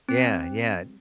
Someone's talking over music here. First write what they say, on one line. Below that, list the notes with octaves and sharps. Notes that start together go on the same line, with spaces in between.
Yeah, yeah.
C4